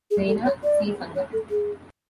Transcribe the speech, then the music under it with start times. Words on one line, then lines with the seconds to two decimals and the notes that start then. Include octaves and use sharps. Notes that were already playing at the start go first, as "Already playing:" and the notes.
Jaina C. Sanga.
0.11 G#4
0.28 A4
0.46 C#5
0.64 D5
1.16 C#5
1.33 A4
1.51 G#4